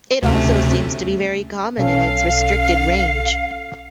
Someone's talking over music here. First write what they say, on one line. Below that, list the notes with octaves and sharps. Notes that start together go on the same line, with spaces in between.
It also seems to be very common in its restricted range.
D2 C3 A3 C#4
B1 C#4 A4 F5